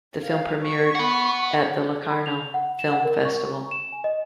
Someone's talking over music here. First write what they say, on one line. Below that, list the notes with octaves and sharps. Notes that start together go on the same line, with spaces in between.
The film premiered at the Locarno Film Festival.
F5
C#6
F#5 B5
B5
F7
F#5
E7
F#5
A#4
C#6
C#6
E7
G#5
D#5